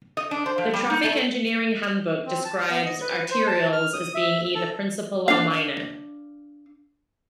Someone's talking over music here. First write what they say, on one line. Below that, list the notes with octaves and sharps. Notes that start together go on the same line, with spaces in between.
The" Traffic Engineering Handbook "describes "Arterials" as being either principal or minor.
D#5
D4
C5
F3
G3
D#4
A3
C4
A5
B3
D#5
B4
C5
A5
F6
D#6
E5
A4
D4 F5